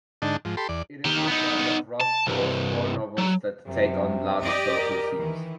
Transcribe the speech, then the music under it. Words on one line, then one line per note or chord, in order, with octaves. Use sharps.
It is the third of Roth's postwar novels that take on large social themes.
G#2 D3 D4 D#4 A5
G#2 F3
G4 A4 B5 C6
E2 D5
D#3 G4
B3 D#4
A5
C2 G2
F#3
F#2 C3
G4 D5 D#5
A#4
D#3 E3